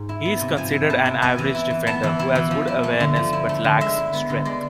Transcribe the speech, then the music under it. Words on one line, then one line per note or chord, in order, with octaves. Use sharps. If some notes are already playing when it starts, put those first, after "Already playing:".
He is considered an average defender who has good awareness but lacks strength.
Already playing: G#2
E4
B3
C3
F3 G#5
E4
B3 A5
C3
B3 G#5
E3
E4
E3
B3 A5
E3
E4
E3
F3
E4
A3
D3
F3
E4
A3
D3
G#3 E5
E4
B3
D3
G#3 D5